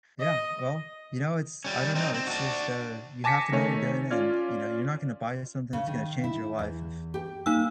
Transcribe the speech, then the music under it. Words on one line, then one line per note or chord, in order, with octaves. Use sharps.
Yeah, well, you know, it's I don't know, it's just the you have to know what you're doing and, you know, you're not gonna buy a something that's gonna change your life if
D#5
G3 C#4
C4 D#4
C4
D4 F#4
G#5 A5 D6 A#6 B6 C#7
D#3 A3 C#5 G#5
C#4 F4 D5 F6 G#6
C#3
D#3
E4
E2
G4 G5
A#3 D#4 E6